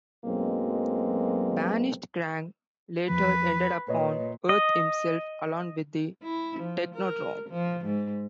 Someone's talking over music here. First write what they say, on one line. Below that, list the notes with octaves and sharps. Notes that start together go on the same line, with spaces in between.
Banished Krang later ended up on Earth himself along with the Technodrome.
B1 F#2 B2 G#3 A#3 C4
E2 F3 B4
A#2 B4 C#5 D#5
D#5
E4
F3
A#4
F3
G#2